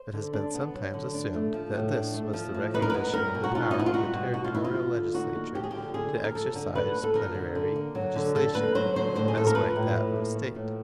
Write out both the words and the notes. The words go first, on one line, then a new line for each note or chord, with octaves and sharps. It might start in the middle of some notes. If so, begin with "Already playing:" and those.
It has been sometimes assumed that this was the recognition of the power of the Territorial Legislature to exercise plenary legislation, as might that of a State.
Already playing: C5
D3
D4
B3
F#3
D3
D4
A3
F3
A2
D4
A3
F3
A2
D#4 B4
A#4
B3 B4
G3 A#4
B2
F#4
D#4 F4
D#4
B3
E4
F4
G3 F#4
B2
D#4 F#4
F4
A#3 E4
F4
F3
D3
D#4 F#4
A#3
F3 G4
G#4
D3 G4
D3 G#4
A#3
A#4
F3 A4
D3
D3 B4
A#3
A4
F3 A#4
D3
D3
A#3
F#3
D3
D3 A4
A#3 B4
F#3 C5
D3 C5
A2 C5
G#4
A#3 A4
A#4
F3 B4
A2
A2
A#3
F3
A2